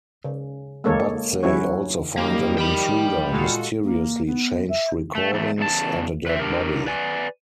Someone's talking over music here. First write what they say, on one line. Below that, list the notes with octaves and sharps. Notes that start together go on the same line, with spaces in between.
But they also find an intruder, mysteriously changed recordings, and a dead body.
C#3
G#3 A#3 A4 C#5
F#3 C#4 E4 F#4 C#5
D#3 F3 G3 A#3 G4
G5 B5
A#2 G#3 F4 F#4 A4
A#3
B3
E5
A3
E2 A3
E2 C#3 D4 A5
B4 C5 E5
D4 G4 A#4
B4 D5 G#5